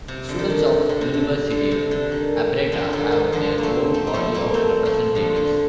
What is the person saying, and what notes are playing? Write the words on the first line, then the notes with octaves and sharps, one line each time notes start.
Students of Universidade Aberta have their own body of representatives.
C3
D3
D#3
D3
D3
C3
D3
D3
C3
D3
D#3
D3 F3
D#3
D#3
D3 F3
A#3
A3 C4
A3 C4
G3
F3 A3
G3 A#3
A3 C4
F3 A3
D3 F3
D3